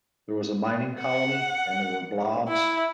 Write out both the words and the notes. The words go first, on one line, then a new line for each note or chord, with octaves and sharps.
there was a mining colony and there were blobs
F#5
E4